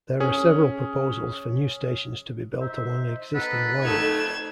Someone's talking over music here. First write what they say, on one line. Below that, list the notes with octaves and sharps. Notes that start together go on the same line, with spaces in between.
There are several proposals for new stations to be built along existing lines.
C#4 G#4
D#4 C5 E5
B3 D#4 A4 B4
F2 A3 D#4 A4 G#6 E7